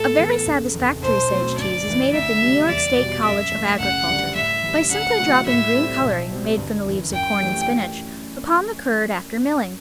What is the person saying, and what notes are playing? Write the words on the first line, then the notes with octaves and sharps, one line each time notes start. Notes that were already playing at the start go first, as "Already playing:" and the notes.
A very satisfactory Sage cheese is made at the New York State College of Agriculture by simply dropping green coloring, made from the leaves of corn and spinach, upon the curd, after milling.
Already playing: A2 A4
E3 B3
F#1
E2 C3
B1 C5
B2 F#3 A3 C4
G1 D5
F#2 E3
D2 E5
C3 G3
E2 D5
B2 G3
F#2 E5
E3 A3
F#1 F#5
F#2 D3 G3
A2 E5
E3 G3
D2 F#5
C3 F#3 A3 E4
A2 E5
G3 C4 E4 A4
B1
B2 G3 C4
G1
F#2 E3
F#2 G5
E3 A3 D4 G4